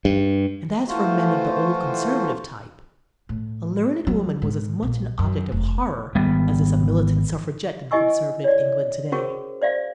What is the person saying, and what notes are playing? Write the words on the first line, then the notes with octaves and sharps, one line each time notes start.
And as for men of the old conservative type, a learned woman was as much an object of horror as is a militant suffragette in conservative England to-day.
G2
E3 A3 F4 F#4 C5
A2
F#3
G#2
A#1
F#2
F1
G#1 G3 B3
E4 G4 D#5 G#5 C#6 E6
C#5 D5
C#4 F#4 G#4 A#4 C5 C#6
C5 D5 E5 F5